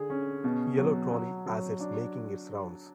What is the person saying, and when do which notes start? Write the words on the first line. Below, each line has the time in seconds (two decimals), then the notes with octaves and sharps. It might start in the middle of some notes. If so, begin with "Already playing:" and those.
Yellow Trolley as it 's making its rounds.
Already playing: D3 G#4
0.10 C#4
0.44 B2
0.78 F#3
1.11 F#3
1.46 F#3
1.80 D4